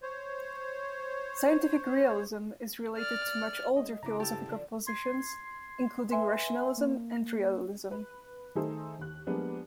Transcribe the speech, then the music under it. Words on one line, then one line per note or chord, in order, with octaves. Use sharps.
Scientific realism is related to much older philosophical positions including rationalism and realism.
C5 C#5
D5 F6
G#3 D#5
C#3 E4 A#5 D6
G4 A4 A5
G2 C4
D3 F3 D4
C6 G#6 C7
B4 E5 G#5 C6
A#3
B4
D#3 A3 D#4 G#4 A4 C5
D#2 F#6
F3 G3 G#3 A#3 B3 D4